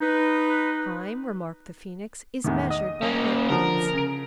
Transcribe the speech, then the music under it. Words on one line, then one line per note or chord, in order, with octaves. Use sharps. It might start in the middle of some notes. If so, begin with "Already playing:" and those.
'Time,' remarked the Phoenix, 'is measured by heartbeats.
D#4 B4
E2 A2 D#3
D#5 D#6
A#3 C#4
D3 F3 A#4
C#3 D7